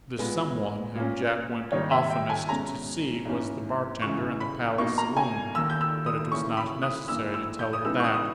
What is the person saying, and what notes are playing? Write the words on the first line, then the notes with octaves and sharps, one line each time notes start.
The "some one" whom Jack went oftenest to see was the bartender in the Palace saloon, but it was not necessary to tell her that.
A#2 G#3 B3
A#2 A#3 C#4
G#2 D#3 G3 A#3 D#4 C#5
E5
G5
G#5
B2 G#3 C#4 A#5
G#2 E3 A#3 C#4
C#2 C#3 E3 C#6
B5
B2 A#3 D#4 C#6
A#5
G#5
D#2 D#3 A#3 E6
G6
E6
D#6
C#3 E3 A#3 C#4 C#6
B5
D#6
G2 E3 A#3 E6
E6
G6
D#6
C#3 E3 G#3 B3 D#4 E6
C#6
D#6
D#6